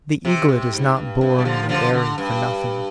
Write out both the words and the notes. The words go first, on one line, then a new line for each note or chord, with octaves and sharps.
The eaglet is not born in the eyrie for nothing.
C3
C3
G#2
G2
G2
G3
D3 F3
D#3
D3 F3
D3
G2